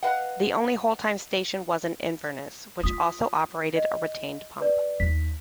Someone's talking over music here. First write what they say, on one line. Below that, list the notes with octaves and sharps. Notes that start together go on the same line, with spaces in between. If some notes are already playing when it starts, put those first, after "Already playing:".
The only wholetime station was in Inverness, which also operated a retained pump.
B4 D#5 F5 F#5
F4 D#6 B6
D#5
B4 D5
D#2 B6